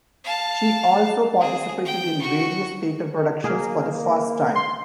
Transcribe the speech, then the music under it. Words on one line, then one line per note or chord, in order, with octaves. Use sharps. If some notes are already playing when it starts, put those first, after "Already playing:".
She also participated in various theater productions for the first time.
F5 A5
C4 G#4
G5
F#4 C#6
A#3 G#4
C6